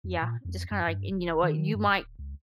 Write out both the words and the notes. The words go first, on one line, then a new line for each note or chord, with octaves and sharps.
Yeah, just kinda like and you know what? You might
F2
A#2
F2
F#2
G2
F#1
D#3
G2
D1
C#2